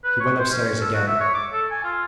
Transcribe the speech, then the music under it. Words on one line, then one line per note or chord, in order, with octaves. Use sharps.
He went up stairs again.
B4
C#5
C5
C#4
A4
F#4
E5
C#5
D6
A4
G#5
F4